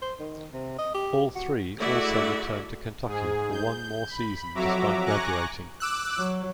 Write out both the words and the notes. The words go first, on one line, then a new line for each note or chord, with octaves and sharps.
All three also returned to Kentucky for one more season despite graduating.
C5
D#3
C3
D#5
G4
F#4
G#3 A3 E4 F#4 D5 E5
G#2 G#4
G6
B5
F2 F#3 F#4 E5 A#5 D6
G#5 A#5 C#6 D6 F#6 A#6
D6 E6 F#6
F#3